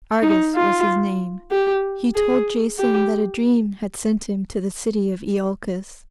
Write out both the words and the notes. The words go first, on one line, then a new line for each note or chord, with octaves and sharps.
Argus was his name. He told Jason that a dream had sent him to the city of Iolcus.
D#4
F4
G4
G#4
G4